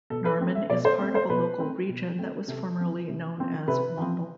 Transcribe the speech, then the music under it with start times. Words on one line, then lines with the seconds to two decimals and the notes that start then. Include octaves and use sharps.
Norman is part of a local region that was formerly known as Womble.
0.10 B2 A4
0.25 B4
0.40 A3 C4
0.55 E5
0.70 B2 D5
0.85 C5
0.99 A3 C4
1.15 C5
1.29 B2 B4
1.60 A3 C4
1.89 B2
2.19 A3 C4
2.48 C3 A4
2.78 F3 C4
3.09 C3
3.38 F3 C4
3.68 C3 B4
3.98 F3 C4